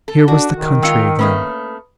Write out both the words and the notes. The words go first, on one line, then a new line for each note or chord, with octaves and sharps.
Here was the country again.
A4
D4 F#4
D#3
G#3 D#4 F4 G5 E6 C#7
A3 A#3 C#4 B4 B5 D#6